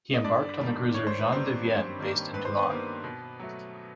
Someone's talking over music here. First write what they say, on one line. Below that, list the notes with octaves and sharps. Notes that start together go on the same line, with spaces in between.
He embarked on the cruiser Jean de Vienne based in Toulon.
D#5
G2 D4 D5
D#3 G3 A#3
G2 C#5
C5
B4
D#3 G3 A#3 C4 C5
G2
D#3 G3 A#3
G2 B4
C5
B3 B4
D#3 G3 A#3
B2
F#3 A3